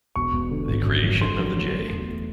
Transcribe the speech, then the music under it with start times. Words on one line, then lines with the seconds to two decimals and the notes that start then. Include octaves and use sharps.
The creation of the J.
0.16 E1 C#6
0.34 E1
0.51 D3
0.68 G#1
0.86 F#2
1.04 F#3
1.21 D3 C6
1.39 F#3
1.57 F#3
1.74 A3
1.92 E2
2.09 A3